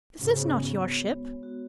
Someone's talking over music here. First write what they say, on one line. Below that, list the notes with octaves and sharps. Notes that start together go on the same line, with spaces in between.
This is not your ship.
G#2 C#3 F#4
B3
B3
B3
C#5
G#3
G#3
F#4